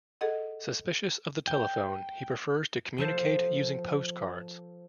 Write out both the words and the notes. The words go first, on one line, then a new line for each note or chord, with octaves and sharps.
Suspicious of the telephone, he prefers to communicate using postcards.
G#4 A4 D#5 F#5
G5
F3 A4 C5